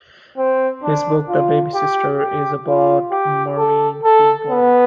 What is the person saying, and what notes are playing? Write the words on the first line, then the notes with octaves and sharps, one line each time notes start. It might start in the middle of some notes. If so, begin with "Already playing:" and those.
His book "The Baby Sister" is about Maureen being born.
C4
D4
F4
G4
G4
F4
G4
A4
A4
B3